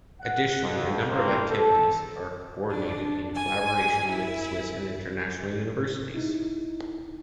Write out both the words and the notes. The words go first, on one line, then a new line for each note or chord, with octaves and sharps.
Additionally, a number of activities are co-ordinated in collaboration with Swiss and International Universities.
F#5
F2
A2 A#3 C4
A4
D4
G#5
E4
D#4 E4